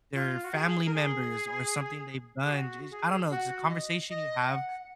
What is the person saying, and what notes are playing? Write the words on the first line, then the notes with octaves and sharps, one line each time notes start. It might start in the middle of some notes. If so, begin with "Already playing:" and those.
their family members or something they've done j I don't know, the conversation you have
F4
F#4
G#4
A#4
G#4
G#4
F#4
G#4
F#4
D#5
D#5
F#5